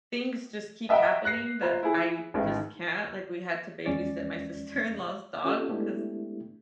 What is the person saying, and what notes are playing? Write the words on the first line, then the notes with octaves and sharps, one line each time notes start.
things just keep happening, that, I just can't like, we had to babysit my sister-in-law's dog 'cause,
D#5 E5 F#5 G5 A#5
F#6 A#6 C7
F4 C5 A#5
E4 G#4
A1 G#2 D#3
E2 F3 G#3 C#4 D5 A6
C#4 F4 G4 A4
G#3 A3 B3 D4 E4 G4